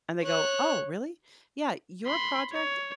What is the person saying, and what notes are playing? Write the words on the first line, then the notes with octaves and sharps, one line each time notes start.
And they go, "Oh, really?" "Yeah, your project
C#5 F#6
B5 C6
C#5